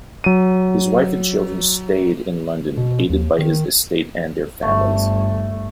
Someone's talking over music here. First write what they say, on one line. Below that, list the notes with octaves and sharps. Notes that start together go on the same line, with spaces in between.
His wife and children stayed in London, aided by his estate and their families.
F#3 D#7
B2
D#2
D#3
G1 A3